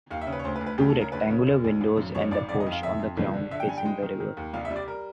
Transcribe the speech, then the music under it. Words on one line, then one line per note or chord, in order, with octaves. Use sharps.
Two rectangular windows and the porch, on the ground, facing the river.
D#2 F5
E5
C#3
B4
C#5
D2 C5
B4
D2
B4
D2 G4
A4
C#3
A#4
D2 B4
C#3
E1
D2
G#1
F#2
G#1 C#5
G#1 D5
F2 D5
D#5
F2
F5
F2 E5
F2
G1
D3
D3 E5
G5
G2 G#5
G5
G#3
D#3
D#3
D#2
C2 F5
E5
G3
D5
A#4